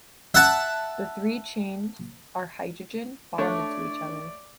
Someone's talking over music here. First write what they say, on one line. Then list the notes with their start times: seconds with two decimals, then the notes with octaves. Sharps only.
The three chains are hydrogen bonded to each other.
0.35 E5 F#5 A5
3.38 A3 D4 C#5 D5